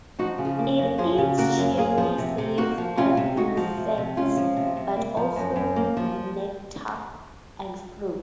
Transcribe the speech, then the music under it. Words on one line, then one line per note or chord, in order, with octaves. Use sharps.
It eats chiefly seeds and insects, but also nectar and fruit.
F3 D#4 F#4
C#3
F4 G#4
A#3
F#2
F3 G#4 C5
C#3
A#3 F#4 A#4
F#2
A#3 F4 G#4
F3
C3
C3
A#3 D#4 F#4
F3
C3 C#4 F4
C3
G#3 D#4 F#4
F3
C3
C3
G#3 C#4 F4
F3
C3
C3
A#3
F3
F#2
F#2
A#3
F3